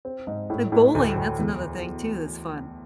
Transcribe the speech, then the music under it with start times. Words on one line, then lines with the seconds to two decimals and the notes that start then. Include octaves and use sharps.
Like bowling, that's another thing too that's fun
0.05 C4
0.27 G#2
0.50 A2
0.72 A2
0.95 D2
1.16 D2
1.39 E2